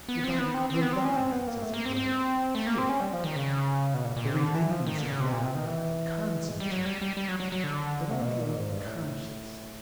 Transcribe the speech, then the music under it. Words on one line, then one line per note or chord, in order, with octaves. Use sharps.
The body revives, as it were, here, the remains of life are concentrated, but only in consciousness.
B3
C4
B3
C4
C4
B3
C4
C#4
C4
B3
A#3
A3
A#3
C4
C4
A3
A#3
C4
C#4
G3
F3
D#3
C#3
B2
A#2
A#2
C3
D3
E3
F3
D#3
D3
C#3
C3
A#2
C3
D#3
E3
G#3
G3
F#3
G3
G3
G3
F#3
F#3
F#3
D3
C3
A#2
B2
A#2
G#2
G2
A2